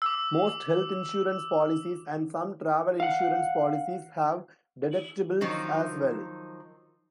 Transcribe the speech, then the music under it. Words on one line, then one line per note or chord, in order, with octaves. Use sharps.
Most health insurance policies and some travel insurance policies have deductibles as well.
D6 E6
F5 F#5
D#3 F3 F#3 D#4